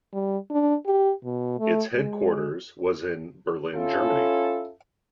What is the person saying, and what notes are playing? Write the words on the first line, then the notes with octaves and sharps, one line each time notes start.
Its headquarters was in Berlin, Germany.
G3
D4
G4
B2
A3
G#3
C#4 E4 F4 A4